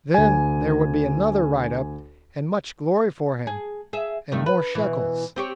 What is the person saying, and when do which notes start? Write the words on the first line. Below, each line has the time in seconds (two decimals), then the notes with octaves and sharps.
Then there would be another write-up and much glory for him and more shekels.
0.14 D2 G#5
3.47 G#4
3.93 G#4 E5
4.32 G2 D#3 A3
4.46 B4
4.75 B2 E3
5.36 C4 G4 C#5